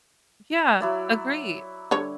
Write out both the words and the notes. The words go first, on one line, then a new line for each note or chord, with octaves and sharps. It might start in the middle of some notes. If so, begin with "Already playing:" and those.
Yeah, agreed.
F#3 E4 D5
D3 G3 C#5